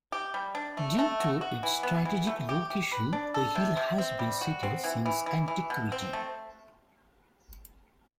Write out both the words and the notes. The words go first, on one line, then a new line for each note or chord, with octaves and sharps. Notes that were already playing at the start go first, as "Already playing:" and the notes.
Due to its strategic location, the hill has been settled since antiquity.
G4
G3
D4
A3
A3
F#4
F#4
E3
B3
E3
A3
G4
G4
B4
D4
A4
C3
C3
C4
G3
F#4
C4
E3
E3
E3
E3
B2
C4
A3